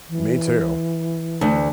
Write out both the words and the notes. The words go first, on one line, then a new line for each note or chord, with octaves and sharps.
me too.
E3
D2